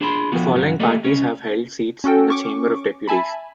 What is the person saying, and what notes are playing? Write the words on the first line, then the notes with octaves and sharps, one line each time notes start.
The following parties have held seats in the Chamber of Deputies.
D4 G#4 A5 B5 C6
F3 B3 F#4
G2 C#3 F#3 F#4
A3 A#3 G4 A4 D5 D#5
C2 C#4
C#4 F#4 A4 G5
C#4 C#6 D6
E5 G#5 A5 B5